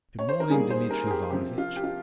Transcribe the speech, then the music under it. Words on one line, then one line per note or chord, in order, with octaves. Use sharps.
"Good-morning, Dmitri Ivanovitch."
C#5
C5
A#4
D#3 G3 A#3 G#4
C5
A#4
G#4
G4
C3 F3 C4 G4
F4
G4
F4